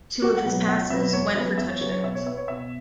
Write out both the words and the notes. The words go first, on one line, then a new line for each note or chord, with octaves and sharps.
Two of his passes went for touchdowns.
C#2 F#4
F#5
B2 F#3 B3
C#2 F#5
B2 F#3 B3 E5
E2 C#5
C#3 F#3 B3 E5
E2 E5
C#5
C#3 F#3 B3 C#5
C#5
B2 E5
C#5
B3 E5
C#5
B2 E5